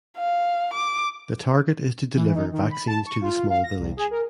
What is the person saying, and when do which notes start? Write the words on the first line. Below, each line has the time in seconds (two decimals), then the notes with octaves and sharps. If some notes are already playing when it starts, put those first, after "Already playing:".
The target is to deliver vaccines to the small village.
0.17 F5
0.73 D6
2.15 E3
2.34 D#4
2.52 D#3
2.71 B5
2.87 A5
3.06 C#6
3.21 F4
3.50 F5
3.63 A#6
3.78 C2
3.97 G#4
4.11 A#4